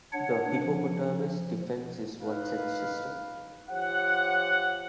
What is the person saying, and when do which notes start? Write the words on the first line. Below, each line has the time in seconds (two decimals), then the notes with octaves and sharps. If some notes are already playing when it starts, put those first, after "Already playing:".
The Hippopotamus Defence is one such system.
0.13 D4 C#5 F#5
0.64 F3
2.20 D#4 B4 F5
3.68 F3 G4 C#5 F#5